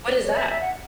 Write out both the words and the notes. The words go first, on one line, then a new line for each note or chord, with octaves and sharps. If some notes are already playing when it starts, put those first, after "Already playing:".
What is that?
C#5
E5
E5
F#5